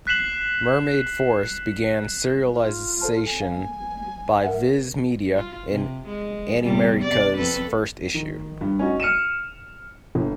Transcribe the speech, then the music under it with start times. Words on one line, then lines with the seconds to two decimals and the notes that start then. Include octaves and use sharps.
Mermaid Forest began serialisation by Viz Media in Animerica's first issue.
0.07 F#6 B6 C7 E7 F#7
2.53 F4
3.01 A4 C5 A5
3.25 G#5
3.41 F5
4.44 A#4 E5 F#5
5.35 F4
5.70 C3
6.07 G#3
6.63 E2 C3 G3
7.03 C3 D5
7.37 F2 A4 B4
8.14 D#3
8.61 G2
8.79 C#4 D#4 F#4
9.00 F6 C#7 D#7 E7
10.15 G1